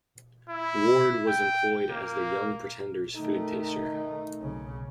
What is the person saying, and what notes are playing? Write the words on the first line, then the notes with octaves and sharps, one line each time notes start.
Ward was employed as the Young Pretender's food taster.
E4
G5
A#3
D#3 A3 D#4
B1 C#3